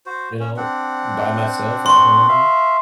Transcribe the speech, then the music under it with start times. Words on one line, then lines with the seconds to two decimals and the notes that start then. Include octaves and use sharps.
you know, by myself at home,
0.06 F#4 C5
0.40 C#4
0.57 C4 D4 F#5
1.86 C6 C#6
2.28 E5 F5